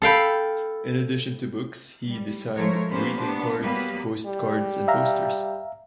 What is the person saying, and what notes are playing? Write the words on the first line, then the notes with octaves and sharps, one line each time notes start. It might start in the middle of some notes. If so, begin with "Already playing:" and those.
In addition to books, he designed greeting cards, post cards, and posters.
A4 F5 G5 B5
G3
F3 G#3 A3 A#4 C5 C#5
A#3 B3 C#4 G4 B4 C5
B3 D4
F#3 G3 A#3 B3 G4 B4
G3
E5 F5 A#5